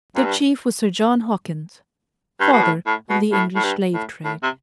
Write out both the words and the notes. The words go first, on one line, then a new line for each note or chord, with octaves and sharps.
Their chief was Sir John Hawkins, father of the English slave-trade.
F#2
G2
G2
B2
A2
A2
B2
A2
A2
G2
A2
A2
C3